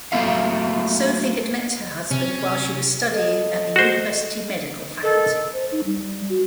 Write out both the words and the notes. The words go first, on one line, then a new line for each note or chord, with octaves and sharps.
Sophie had met her husband while she was studying at the university medical faculty.
F#3 A3 A#3 F4 E5 F5
C3 C#4
A4 D#5
F#4 C5
A4 A#4 D#5
C5
D#4
G3
F#4